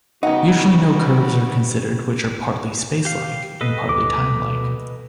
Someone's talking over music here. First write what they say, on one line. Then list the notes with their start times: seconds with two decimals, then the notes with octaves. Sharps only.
Usually no curves are considered which are partly spacelike and partly timelike.
0.23 C#3 G3 B3 D#4 F#4 F#5
3.05 G4 F5
3.61 A4 B4 D#5
3.89 D2 D6
4.25 B2